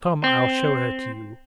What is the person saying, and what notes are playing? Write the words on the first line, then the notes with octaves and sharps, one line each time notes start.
Come, I'll show her to you.
C4